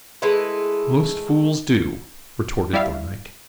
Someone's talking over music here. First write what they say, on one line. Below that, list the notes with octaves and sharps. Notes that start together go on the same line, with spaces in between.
"Most fools do," retorted Thorndyke.
G#3 A3 E4 B4
G3 E4 D5 E5 F5